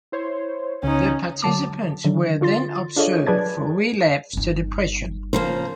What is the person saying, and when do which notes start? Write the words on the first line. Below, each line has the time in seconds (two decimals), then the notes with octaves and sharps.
The participants were then observed for relapse to depression.
0.12 E4 C5 C#5
0.83 C#2 C#3 C#4 D#4
1.42 D3 F#3 A5 D6
2.05 D3 D#3 F#3
2.41 D3 F4 C6 A6
2.96 D4 F4 G#4 A4 C#5 D#5
3.27 F#3 G#4 B4 D5 A5 G#6
4.33 G1 D#4
5.33 C#3 F3 A#3 C5